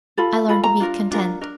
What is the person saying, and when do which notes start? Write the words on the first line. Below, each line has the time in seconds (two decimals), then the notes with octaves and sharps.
I learn to be content.
0.17 F4 A4 B5
0.48 F4 A4 B5
0.63 A#5
0.80 D4 F4 A#4
1.11 D4 F4 A#4
1.41 D4 A#4